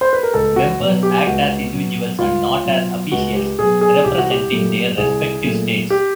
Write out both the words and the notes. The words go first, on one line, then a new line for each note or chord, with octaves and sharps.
Members act as individuals and not as officials representing their respective states.
C5
B4
A#4
C#2 A4
F#4
B2 F#3
G4
C#2 F#4
B2 F#3
C#2 F4
B2 F#3
C#2 F#4
G4
B2 F#3 G#4
G#4
C2 G4
F#4
G4
A#2 F#3 A3
C2 G#4
A#2 F#3 A3
G4